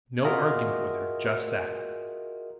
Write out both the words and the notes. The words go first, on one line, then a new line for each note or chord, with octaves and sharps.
No argument with her--just that.
F4 F#4 G#4 A#4 D#5 E5